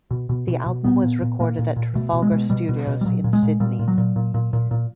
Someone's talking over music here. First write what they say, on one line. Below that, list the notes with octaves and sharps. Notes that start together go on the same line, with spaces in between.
The album was recorded at Trafalgar Studios in Sydney.
B2
B2
B2
B2
A#2 B3
A#2
A#2
A#2 A#3
A#2
A#2
B2 A3
B2
G#3
B2
B2 G3
B2
B2
G3
A#2 F#3
A#2
G#3
A#2
A#2 G3
A#2
F#3
A#2
A#2
A#2
A#2
A#2